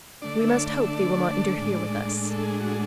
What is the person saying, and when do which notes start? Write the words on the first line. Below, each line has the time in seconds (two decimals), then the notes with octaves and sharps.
"We must hope they will not interfere with us."
0.22 D3 A3 D4 D5
0.40 E5
0.49 C#5
0.56 D5
0.68 D5
0.73 E5
0.90 D5
1.58 A2 G#3 D4
2.31 A4
2.43 G#4
2.60 F#4
2.70 G#4